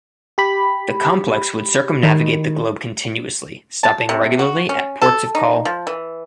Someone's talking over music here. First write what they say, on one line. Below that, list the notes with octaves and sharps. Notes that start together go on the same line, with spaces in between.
The complex would circumnavigate the globe continuously, stopping regularly at ports of call.
G4 B5
D#3
A5
C3
F#4
C#4
A4
D#4
F3
E3